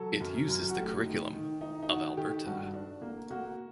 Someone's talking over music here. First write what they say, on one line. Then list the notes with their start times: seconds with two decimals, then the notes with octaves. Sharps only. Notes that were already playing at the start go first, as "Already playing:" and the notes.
It uses the curriculum of Alberta.
Already playing: F#3 A4
0.20 F#2
0.48 F#2
0.69 F#4
0.76 A3 G4
1.04 D#3
1.33 D#3
1.61 D#4
1.82 D#4
1.89 D#3 F#4
2.17 D#3 G4
2.46 G2 F#4
2.74 D4
3.02 A#3
3.31 A#3 F#4